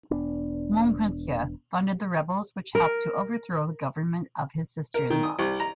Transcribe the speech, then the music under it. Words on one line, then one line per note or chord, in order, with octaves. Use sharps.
Montpensier funded the rebels, which helped to overthrow the government of his sister-in-law.
E1 B3 D4
A#4
A#4
D#3
D#6
C2
A#5